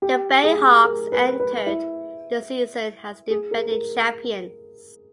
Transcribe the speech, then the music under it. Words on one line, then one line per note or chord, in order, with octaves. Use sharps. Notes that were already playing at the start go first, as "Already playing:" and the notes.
The Bayhawks entered the season as defending champions.
G4
G#4
A#4
B4
B4
E4
G#4
A#4
A#4